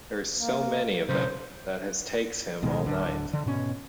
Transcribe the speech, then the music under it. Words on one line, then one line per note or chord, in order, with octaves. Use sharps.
There are so many of them that his takes him all night.
A#3
B1 C#3 C5
D1 B2 D#3 G#3
D1 D3
D3
G#2 B2 C#4